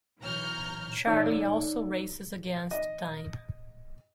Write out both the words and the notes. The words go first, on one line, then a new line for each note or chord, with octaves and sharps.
Charlie also races against time.
B1 E3 C#5 A#5 F6 G6
D#4 A4 C#5 D5
D#5